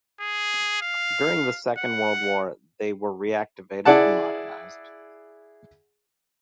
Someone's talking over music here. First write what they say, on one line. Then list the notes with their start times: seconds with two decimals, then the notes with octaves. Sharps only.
During the Second World War they were reactivated and modernised.
0.20 G#4
0.82 F5
1.78 F#5
3.85 E4 G#4 D5 F#5 A5